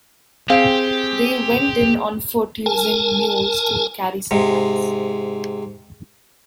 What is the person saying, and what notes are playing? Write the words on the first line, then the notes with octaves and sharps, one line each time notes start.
They went in on foot using mules to carry supplies.
C4 G4 G#4 F5 G5
A#4 G#5 A5
G#2 C3